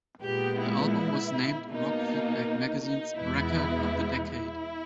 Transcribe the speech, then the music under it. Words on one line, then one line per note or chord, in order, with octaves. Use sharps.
The album was named Rockfeedback magazine's record of the decade.
A#2 G#3 B3 G4
E4
B2 A#3 D#4
D#4
E2 B2 G#3 B3 E4
E4